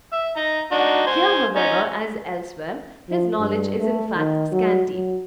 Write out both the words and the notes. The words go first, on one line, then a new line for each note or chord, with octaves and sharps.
Here, however, as elsewhere, his knowledge is in fact scanty.
E5
D#4 A#5
D4 D#4 F#4
C5 G#5
C#4 D#4
F3
G2
A3
D#3
F#3
F#3